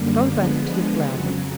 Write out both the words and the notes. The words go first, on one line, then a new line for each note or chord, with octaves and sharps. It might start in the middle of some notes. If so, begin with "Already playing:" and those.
Go back to the flounder.
Already playing: F#2 D3 G3 A#3
D3 F3 G#3 B3
F2 C#3 F#3